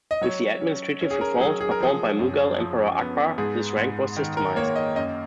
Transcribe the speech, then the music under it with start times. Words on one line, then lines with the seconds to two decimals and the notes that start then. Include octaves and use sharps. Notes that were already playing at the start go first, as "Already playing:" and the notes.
With the administrative reforms performed by Mughal emperor Akbar, this rank was systemised.
0.11 D#5
0.21 F#3 C#5
0.61 C#4
1.01 C#4
1.11 G#4
1.21 A#4
1.40 F#3 G#4
1.61 G#4
1.71 A#4
1.80 F3 G#4
2.19 F#2
2.58 F3
2.99 B3
3.38 G#2 G#4
3.77 G#2
4.17 D#3
4.37 A#4
4.56 A#3 C#5
4.76 D#5
4.96 F#2 D#5